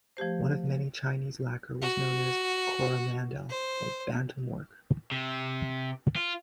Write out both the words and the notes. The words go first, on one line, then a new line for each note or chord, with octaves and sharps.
One of many Chinese lacquer was known as "Coromandel" or "bantomwork".
F3 A3 G4 C5
F#4
C5
C3
F4